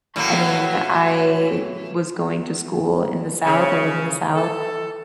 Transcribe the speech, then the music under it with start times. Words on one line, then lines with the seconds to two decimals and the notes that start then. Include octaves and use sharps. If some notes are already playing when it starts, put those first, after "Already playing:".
I mean, I was going to school in the South, I live in the South,
0.16 A2 F#3 A#3
3.45 C#3
4.35 A4